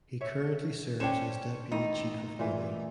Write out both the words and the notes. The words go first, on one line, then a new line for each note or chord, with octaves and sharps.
He currently serves as Deputy Chief of Navy.
C#5 E5
C#4 D4 C5 G5 E7
A1 D#3 D#4
A1 A#2 E3